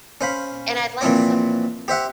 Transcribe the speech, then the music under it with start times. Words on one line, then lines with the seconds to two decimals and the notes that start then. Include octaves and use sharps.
and I'd like some
0.21 C#4 C5 F5 B5
1.01 A#2 E3 F3 C4 C#5 D6
1.88 G4 C5 E5 F#5